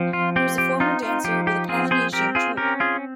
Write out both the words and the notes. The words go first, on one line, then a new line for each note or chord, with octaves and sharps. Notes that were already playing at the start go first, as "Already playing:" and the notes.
He was a former dancer with a Polynesian troupe.
Already playing: F3 C4
F4
C4 G4
G4
D#4 F4
F4
F3 G4
G4
C4 F4 G#4
G#4 C5
C4 G4 A#4
F4 G#4
C#4 G4 A#4
F4 G#4